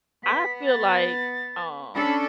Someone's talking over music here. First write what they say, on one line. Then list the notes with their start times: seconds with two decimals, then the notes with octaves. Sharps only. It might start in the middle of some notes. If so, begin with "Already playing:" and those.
I feel like, uh,
0.24 B3 B6
0.66 A6
1.95 C#4 D4 A4 B5